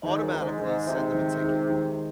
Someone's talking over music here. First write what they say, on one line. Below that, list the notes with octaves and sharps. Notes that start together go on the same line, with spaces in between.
automatically send them a ticket."
G#2 D#3
F#2
G#3 D#4
G#2
G#2 D#3
C3 G#3 D#4
D#3
G#3 D#4
D#3